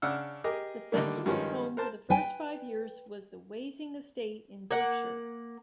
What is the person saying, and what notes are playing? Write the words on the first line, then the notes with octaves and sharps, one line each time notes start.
The festival's home for the first five years was the Wasing Estate, in Berkshire.
C#3 D4 F#5 E6 F6
G4 G#4 A#4 D#5
D3 D#3 G3 A3 A#3
G2 D#3 F3 G#3 C#4
A#4 C5 A5
B4 G5 G#5
A#3 F#5